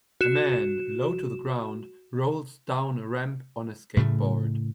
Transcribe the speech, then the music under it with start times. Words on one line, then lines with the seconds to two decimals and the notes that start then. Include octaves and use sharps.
A man, low to the ground, rolls down a ramp on a skateboard.
0.21 F#4 E7
3.97 A2 C#3 A3